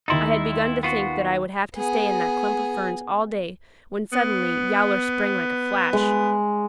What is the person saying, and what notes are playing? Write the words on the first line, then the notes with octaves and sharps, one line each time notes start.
I had begun to think that I would have to stay in that clump of ferns all day when suddenly Yowler sprang like a flash.
D#2 D#4 E4 C6 A6
B3 F4 F#4
B3 G#4
B3
G#3